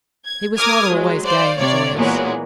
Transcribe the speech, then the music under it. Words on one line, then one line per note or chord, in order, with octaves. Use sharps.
He was not always gay and joyous.
G#6
A#4 D6 D#6 F6 G#6
F#3 G#3
C5 D5 F5
C3 C#5 D5
A#2 E3 F#3 G#3 A#3 B3